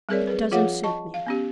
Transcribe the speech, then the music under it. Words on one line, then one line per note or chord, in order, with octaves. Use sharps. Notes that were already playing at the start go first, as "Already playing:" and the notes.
It doesn't suit me.
G3 C4 G#4 A#4 C#5 D5
G#4 B4
F3 F4 G#4 C#5 F5 F#5
D#5 A5 C#6
F5
B3 C#4 G4